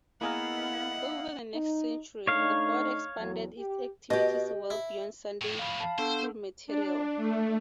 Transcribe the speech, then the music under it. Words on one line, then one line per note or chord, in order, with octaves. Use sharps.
Over the next century, the board expanded its activities well beyond Sunday School material.
A#3 B3 E4 G#4 A#4 D#5 F5 F#5
D#4
A3 D4 D#4 C#5 F5
E2 F#3
G4
B2 G4 D#5
E4
F2 A2
F5 B5
F5 A5
B3 D4 A4 C5
D4
A3